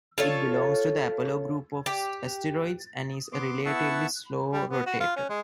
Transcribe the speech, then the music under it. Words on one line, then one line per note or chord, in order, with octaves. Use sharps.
It belongs to the Apollo group of asteroids and is a relatively slow rotator.
F4 A4 C#5
G4
B3 C6 D6
B3 E4 F#5 A5 C#6 E6
G3
B3
F#4
F4
C#4
G#3